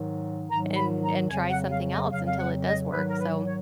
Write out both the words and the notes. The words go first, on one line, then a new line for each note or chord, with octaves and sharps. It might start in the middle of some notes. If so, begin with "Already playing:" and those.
and and try something else until it does work, so,
Already playing: G#2 D#3 F#3
G#2 D#3 F#3 A#5
B5
A#5
F2 C#3 F#3 G#5
F#5
F5
D#5
F2 C#3 F#3 F5
F5
F#5
D#5
G#2 D#3 F#3 B4
A#4
B4
C#5